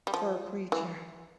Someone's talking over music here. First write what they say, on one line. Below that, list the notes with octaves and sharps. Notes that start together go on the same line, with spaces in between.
fur creature,
G3
F3
E3